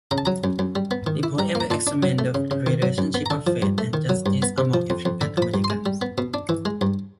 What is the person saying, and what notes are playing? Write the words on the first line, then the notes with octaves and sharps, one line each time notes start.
The poems examine the relationship of faith and justice among African Americans.
C#3 A#5
A5
F#3 A#5
F#2
F#2
G3
B3
D#3
E4
G3 A#5
A#3
A#5
A#2 A5
D4
F#3
A3
C#3
C#3
D#3
F#3
F#2
B3
A#5
D3 A5
F3
G2
A3
D#3
F#3
G2
B3
C3
F3
F2
F2
D3 B5
F3 B5
G2
C6
G#3
G3
B3
B2
D4
E3
G#3
G2